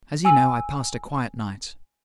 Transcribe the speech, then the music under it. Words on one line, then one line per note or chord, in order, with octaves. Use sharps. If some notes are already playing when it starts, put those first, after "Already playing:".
As you know, I passed a quiet night.
G#5 E6